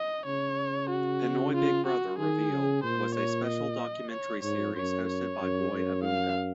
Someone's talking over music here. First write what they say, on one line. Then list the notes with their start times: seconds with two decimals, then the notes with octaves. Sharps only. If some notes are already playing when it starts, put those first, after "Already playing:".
"Pinoy Big Brother Revealed" was a special documentary series hosted by Boy Abunda.
Already playing: D#5
0.26 C#3 C#5
0.90 F#4
1.55 F4
1.87 F#4
2.19 D#3 G#4
2.51 C#3
2.83 A#2 C5
3.15 C#5
3.47 D#5
4.11 C#5
4.43 G#2 C#5
4.76 F#2 C#5
5.08 C#5
5.40 F#2
5.72 F#2
6.04 F5